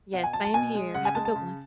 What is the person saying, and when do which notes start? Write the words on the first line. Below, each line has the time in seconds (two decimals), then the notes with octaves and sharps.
Yes, same here. Have a good one.
0.14 B2 F#5
0.24 G#5
0.33 F#3 A5
0.45 A5
0.54 B2 G#5
0.75 G#3
0.94 C#3 F#5
1.05 G#5
1.15 G#3 A5
1.25 A5
1.36 C#3